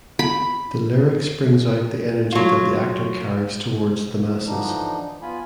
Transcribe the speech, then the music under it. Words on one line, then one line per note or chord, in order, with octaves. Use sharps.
The lyrics brings out the energy that the actor carries towards the masses.
B5
F#3 F4
D3 E3 F3 D4 D#4
B3 F4 G#5 B5